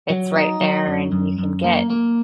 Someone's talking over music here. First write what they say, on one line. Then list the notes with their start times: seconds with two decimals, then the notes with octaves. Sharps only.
it's right there, and you can get
0.10 F#3
0.36 D#4
0.61 F#3
0.87 F#2
1.12 F#2
1.39 F#2
1.64 A#3
1.90 A#3